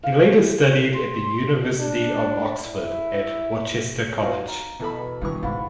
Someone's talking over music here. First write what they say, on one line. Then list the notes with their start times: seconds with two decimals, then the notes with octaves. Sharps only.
He later studied at the University of Oxford at Worcester College.
0.04 F5
0.38 E4
0.94 C6
1.79 D4
2.66 E4
4.21 D#4 F#4 B4 F5
4.48 A#5
4.80 E2 B2 A4 B5
5.21 G2 D#3 E3 C#6
5.43 A1 E2 G#2 F5 F#5 B5